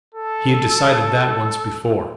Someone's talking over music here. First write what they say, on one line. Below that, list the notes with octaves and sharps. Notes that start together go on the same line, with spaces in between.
He had decided that once before!
A4